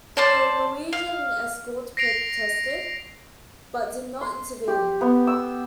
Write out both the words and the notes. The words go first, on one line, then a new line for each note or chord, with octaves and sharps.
The Norwegian escorts protested, but did not intervene.
C5 D5 A5
F5
A#6 C7 D7 F7
C6
G4
B3
E6